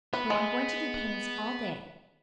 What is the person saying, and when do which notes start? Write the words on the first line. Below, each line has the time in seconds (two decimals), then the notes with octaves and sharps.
So I'm going to do penance all day.
0.13 B3 B4
0.30 G#3